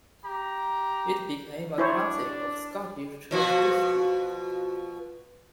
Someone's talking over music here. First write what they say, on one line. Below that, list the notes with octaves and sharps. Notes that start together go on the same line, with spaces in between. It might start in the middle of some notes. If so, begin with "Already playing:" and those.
It became a classic of Scottish Church History.
G4 A#5
D4 E4 C5 C#5
B2 F3 F#4